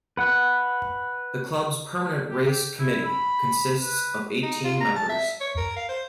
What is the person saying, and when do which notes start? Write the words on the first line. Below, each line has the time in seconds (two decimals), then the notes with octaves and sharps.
The club's Permanent Race Committee consists of eighteen members.
0.17 B4 F#5
2.31 G4
2.80 E4
3.05 B5
3.82 B4
4.43 D#4
4.64 F4
4.81 A#5
4.96 A5
5.09 E5
5.40 C#5
5.57 A#4
5.77 F5
5.89 C5